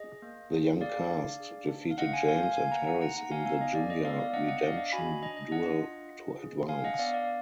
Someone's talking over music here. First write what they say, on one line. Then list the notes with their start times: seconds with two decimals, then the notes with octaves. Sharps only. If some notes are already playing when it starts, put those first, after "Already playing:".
The Young Cast defeated James and Harris in the Junior Redemption Duel to advance.
Already playing: G#4 D#5
0.22 A#3
0.51 G#4
0.81 G#4 D5 F5
1.10 D4
1.40 G#4
1.68 D4
1.91 F5
1.98 A#3 D#5 F#5
2.13 F5 G#5
2.28 A#3 F5 G#5
2.43 F5 G#5
2.57 A#3 F5 G#5
2.72 F#5 A#5
2.87 A#3 F#5 A#5
3.01 F#5 A#5
3.16 D#4 F#5 A#5
3.31 F5 G#5
3.46 B3 F5 G#5
3.61 D#5
3.75 B3 D5
3.90 D#5
4.05 B3 D5 F5
4.19 D5 F5
4.34 D4 D#5 F#5
4.48 D#5 F#5
4.63 D4 D5 F5
4.78 D#5
4.92 F#4 G#5 B5
5.07 D#5
5.22 D4 D#5
5.37 D#5
5.51 D4 D#5 F#5
5.81 F4
6.11 F4
6.39 G#4
6.69 D4 F5 G#5
6.84 D#5 F#5
6.98 B3 D5 F5
7.13 D5 F5